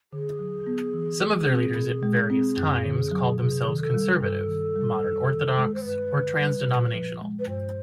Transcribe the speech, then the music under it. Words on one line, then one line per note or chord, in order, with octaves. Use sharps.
Some of their leaders at various times called themselves Conservative, Modern Orthodox or trans-denominational.
D3 G#4
F#3
B3
E3
G#3
C4
B2
G#3
C4
F#2
D3
F#3
C3 G#4
D#3
A4
G3
A#4
G2 A4
D#3
G3
F#2
D#3
G#3
C5
G2 B4
D3
G3
A#2
F3
G#3
B4
G2 C5